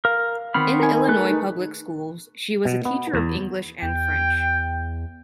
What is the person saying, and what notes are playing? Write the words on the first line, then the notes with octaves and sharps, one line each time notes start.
In Illinois public schools, she was a teacher of English and French.
A#4 F5
D#3 B3 C4 B5 C#6 F6
D#4 A#4 G#5
A3 G#4 B4
D#4
B2
B3
E2
E2 G5